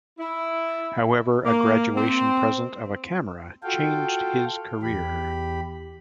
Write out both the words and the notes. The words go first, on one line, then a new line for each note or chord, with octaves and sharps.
However, a graduation present of a camera changed his career.
E4
A#3
C4
F4 F#4 A4 F5 G5
E2 G4 B5